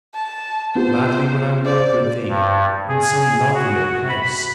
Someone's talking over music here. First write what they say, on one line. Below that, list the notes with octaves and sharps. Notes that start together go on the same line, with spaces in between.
Gladly would I walk with thee--in some lovelier place!
A5
B3 F4 G4 C5
C5 D5
G2
G#4
F#4
B5